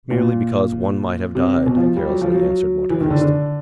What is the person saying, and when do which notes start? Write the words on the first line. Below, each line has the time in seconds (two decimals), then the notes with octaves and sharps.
"Merely because one might have died," carelessly answered Monte Cristo.
0.11 A#2
1.35 C3
1.67 B2
1.77 F3
1.97 G3
2.10 F#3
2.21 F3
2.34 F#3
2.90 E3
3.00 D#3
3.10 D3
3.21 D3